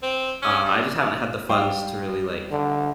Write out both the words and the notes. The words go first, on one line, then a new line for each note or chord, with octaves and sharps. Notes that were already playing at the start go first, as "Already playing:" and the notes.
uh, I just haven't had the funds to really, like
C4
C#4
G3
G3 F5 G5
D3